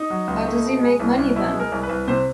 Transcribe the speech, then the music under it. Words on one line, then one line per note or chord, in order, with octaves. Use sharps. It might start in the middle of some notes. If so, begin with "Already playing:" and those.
How does he make money then?
Already playing: D#4
F#3
C#2
A3
B2
G#3
C2
C2
B2 E4
G#3
A#4
C2
B4
C2
C3 C5